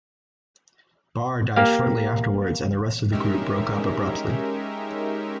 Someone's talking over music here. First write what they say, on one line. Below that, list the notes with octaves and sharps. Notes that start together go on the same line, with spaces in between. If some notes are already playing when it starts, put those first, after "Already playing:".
Barr died shortly afterwards and the rest of the group broke up abruptly.
A#3 G4 F5
G#3 C#4 D#4 G4 A#4 E5